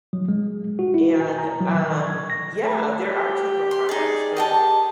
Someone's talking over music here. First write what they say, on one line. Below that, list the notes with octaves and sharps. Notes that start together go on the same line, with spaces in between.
and, um, yeah, there are cheaper products, but
F#3
G#3
F#4
E4
G#5
A#5
F#3
D#3
C#6
G#6
A#6
A3
G4
C6
D#4 G#4 D5
G4 D#5 G5 A5